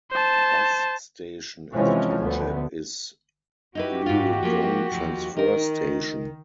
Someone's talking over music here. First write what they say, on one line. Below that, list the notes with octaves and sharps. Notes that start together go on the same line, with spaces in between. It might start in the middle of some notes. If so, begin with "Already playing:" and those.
Bus station in the township is Luodong Transfer Station.
C5 A5
C3 E3 F3 G#3 C4 C#4
D2 D3 A3 B3
D#4 E4 F#4 G4 B4
G#2 F4
F3 A#3
D#2 F3
D#3 D#4 A#4